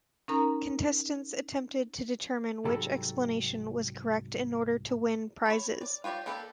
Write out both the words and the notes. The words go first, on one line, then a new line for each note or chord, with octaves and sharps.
Contestants attempted to determine which explanation was correct in order to win prizes.
C#4 D#4 A#4 A#5
C2 G#2 F#3 G4 A4 B5
C#5 B5
D5
F4 G4 C#5 D5 G5
A#3 G4 A4 B4 D5